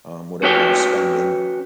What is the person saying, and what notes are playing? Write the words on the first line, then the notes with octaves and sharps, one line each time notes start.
um, whatever you're spending,
C#4 F#4 B4 C#5 G5